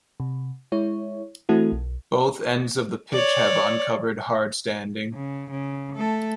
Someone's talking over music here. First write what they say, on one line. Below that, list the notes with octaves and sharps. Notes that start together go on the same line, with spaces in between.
Both ends of the pitch have uncovered hardstanding.
C3
G#3 E4 C#5
E3 A3 C4 E4 F#4 A4
B1
C#5 D5
C#3
C#3
A3 A4